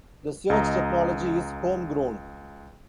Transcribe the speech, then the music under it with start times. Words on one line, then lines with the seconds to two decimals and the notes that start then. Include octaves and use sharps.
The search technology is home grown.
0.50 C#2 D#5 A#5